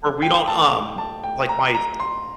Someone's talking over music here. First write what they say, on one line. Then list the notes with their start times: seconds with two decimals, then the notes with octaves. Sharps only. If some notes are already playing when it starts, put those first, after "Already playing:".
where we don't, um, like my
0.22 G5
0.48 A5
0.98 A5
1.24 G5
1.49 A#5
1.74 A#5
2.00 C6